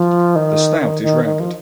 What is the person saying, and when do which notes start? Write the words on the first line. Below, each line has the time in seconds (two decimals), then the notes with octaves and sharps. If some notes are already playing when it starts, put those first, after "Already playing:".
The snout is rounded.
Already playing: F3
0.36 D#3
0.80 D#3
1.02 D#3
1.25 D#3
1.40 F3